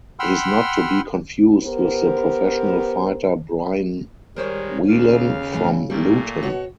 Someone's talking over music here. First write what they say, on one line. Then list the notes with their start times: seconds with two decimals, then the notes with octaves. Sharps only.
He is not to be confused with the professional fighter Brian Whelan from Luton.
0.19 F#5 G5 B5 C6 E6 F6
1.64 B3 G4 A#4 C5
4.36 D#3 G3 G#3 A#4 C5 C#5
4.88 D#2 C#3 F5
5.52 G2 E3 A3
5.90 A#2 G3 A3 A#3
6.42 B2 F#4 C#5